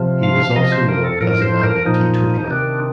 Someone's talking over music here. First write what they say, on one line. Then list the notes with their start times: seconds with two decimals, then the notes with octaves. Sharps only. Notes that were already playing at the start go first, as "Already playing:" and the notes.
He was also known as an avid teetotaler.
Already playing: C3 F3
0.23 F5
0.55 C3 F3 D#5
0.72 C5
0.88 A#4
1.04 A4
1.21 A2 F3 A#4
1.42 C5
1.63 A#4
1.85 A#2 F3 D#4
2.50 C3 D#3 D4